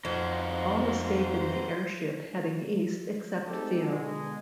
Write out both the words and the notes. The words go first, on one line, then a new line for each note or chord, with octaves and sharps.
All escape in an airship heading east except Theo.
F2 D#4 F4 F#4 C5
G#3 A3 C4 D#4 G4 A4
B2 D3 G#3